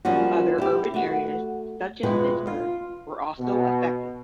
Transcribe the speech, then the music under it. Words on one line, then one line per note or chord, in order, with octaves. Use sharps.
Other urban areas, such as Pittsburgh, were also affected.
F3 G3 A#3 C#4 F4 F#4
E4 G4
A3 F#4
F2 B2 G#3 E4 B4 G5
F4
B2